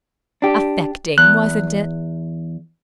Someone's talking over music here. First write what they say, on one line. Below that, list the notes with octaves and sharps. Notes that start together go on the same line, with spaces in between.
Affecting! wasn't it?
D4 G4
E2 F#6